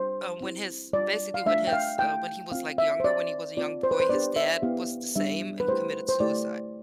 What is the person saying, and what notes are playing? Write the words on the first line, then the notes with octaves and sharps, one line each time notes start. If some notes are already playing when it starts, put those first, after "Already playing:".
uh, when his basically when his, uh, when he was like younger, when he was a young boy, his dad was the same and committed suicide.
Already playing: G3 D4 G4 C5
C4 E4 G4
G3 D4 F4 D5
F5
A3 D4 F4 E5
G5
F5
A3 E4 G4 G5
C4 F4 F5
E5
C5
C4 G4 D5
C4 F4 D5
C5
B4
C5
B3 D4 G4 D5
E5
B3 E4 G4 F5
G3 D4 G4 E5
B4
A3 E4 G4 C5
C5
A3 E4 G4 D5